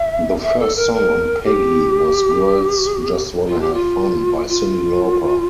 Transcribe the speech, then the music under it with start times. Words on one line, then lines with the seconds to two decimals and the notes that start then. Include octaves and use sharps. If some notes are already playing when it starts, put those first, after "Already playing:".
The first song on Peggy was "Girls Just Wanna Have Fun" by Cyndi Lauper.
Already playing: E5
0.43 E5
0.59 A4
0.76 A#4
0.94 A#4
1.44 G4
3.47 F4
3.61 G4
3.74 F4
4.49 F4